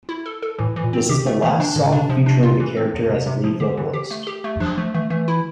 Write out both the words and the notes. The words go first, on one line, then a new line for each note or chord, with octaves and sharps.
This is the last song featuring the character as a lead vocalist.
E4
A4
A4
A2 E3
E3
A#2
C4
C3 G4
A3
E3 A3
E3 D4
A2 D3
C3 D4
C3 F3
D4
F4
E3
C4
E2
C3
C3
F3
D3 G4
E3
G4
A3
G4
A3
F3 D4
F3 A3
E3 A3
E3 A3
E4